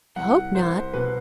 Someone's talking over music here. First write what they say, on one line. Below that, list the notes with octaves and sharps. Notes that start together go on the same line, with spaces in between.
"I hope not."
C2 F#5
C2 C5
B2 B4